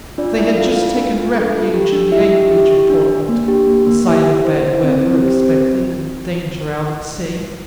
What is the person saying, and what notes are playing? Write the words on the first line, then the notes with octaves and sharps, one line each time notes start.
They had just taken refuge in the anchorage of Portland--a sign of bad weather expected and danger out at sea.
D4 F4 D5
E4 A4 E5
D4 F4 F5
F4 F5
D4
F4
A4
F4
G4
D4
E4 G4 E5
G4
G4
G4
D4
D4
A#3
G4
A#3
A#3
E4 G4 E5
E4
E4 C5
E4
C4
C4
G4 C5
C4